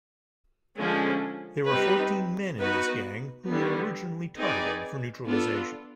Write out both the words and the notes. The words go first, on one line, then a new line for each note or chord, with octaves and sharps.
There were fourteen men in this gang who were originally targeted for neutralization.
D3 F3 G#3 C#4
G3 C4 D#4 G4 B4
B3 D#4 F#4 B4
D3 G3 B3
C4 D#4 G#4 B4 D5
B3 D4 F4 A4